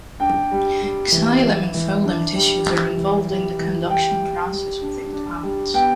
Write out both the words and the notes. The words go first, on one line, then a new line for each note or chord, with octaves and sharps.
Xylem and phloem tissues are involved in the conduction processes within plants.
D4 G5
G3
G3
E3
E3
E3
D4
G3
E3
E3
G3
E3
G3 G5
G3
G3
D4
D4
G3
B3 G5